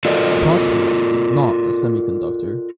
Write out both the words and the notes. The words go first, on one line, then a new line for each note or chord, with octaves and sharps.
Phosphorus is not a semiconductor.
F4 F#4 A4 A#4 D5 D#5